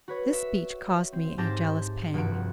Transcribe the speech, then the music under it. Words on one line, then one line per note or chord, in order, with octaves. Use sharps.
This speech caused me a jealous pang.
F#4 B4 C#5
E5
C4
G#2 C4 G4 A5 D6 A#6
F1 G2 F#4 D7